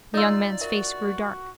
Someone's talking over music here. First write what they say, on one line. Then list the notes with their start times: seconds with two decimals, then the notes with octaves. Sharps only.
The young man's face grew dark.
0.14 D#4 F4 D5 D#5 E6
0.61 F#4 A#4 E5